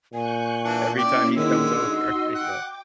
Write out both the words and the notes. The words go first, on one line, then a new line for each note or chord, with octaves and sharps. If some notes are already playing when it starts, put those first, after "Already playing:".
Every time he comes over, you know?
A#2 G#5 C#6 F#6 G6
E3 D4
A#3 C#4 E4 D5 G5
D3 D#3 G#3 E6
D#4 F#4 D#5 C6
F#5 G5 D6